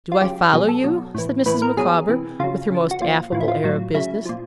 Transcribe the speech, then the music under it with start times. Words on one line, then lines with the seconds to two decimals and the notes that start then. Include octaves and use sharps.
'Do I follow you?' said Mrs. Micawber, with her most affable air of business.
0.12 F4
0.22 C#3 F#3 G4
0.53 B2 F#3 G#4
0.69 A4
0.84 B2 F#3
1.15 A2 E3
1.46 A2 E3 B4
1.62 A#4
1.77 B2 F#3 G#4
2.09 C3 E3
2.39 C#3 F#3 F4
2.70 C#3 F3
2.91 F#4
3.01 A#2 F3 F4
3.32 A2 E3 F4
3.40 E4
3.48 F4
3.64 A2 F#3
3.94 C#3 F#3 E4
4.26 A#2 F3